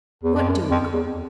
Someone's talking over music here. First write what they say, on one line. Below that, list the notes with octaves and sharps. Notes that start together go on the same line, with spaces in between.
"What duke?"
E2
F2
F#2
F2
E2